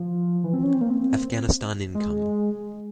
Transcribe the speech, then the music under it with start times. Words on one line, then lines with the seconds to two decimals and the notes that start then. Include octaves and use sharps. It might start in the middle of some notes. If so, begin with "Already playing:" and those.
Afghanistan income.
Already playing: F3
0.44 E3
0.54 C4
0.63 C#4
0.74 C4
0.81 A#3
0.90 C4
1.95 G#3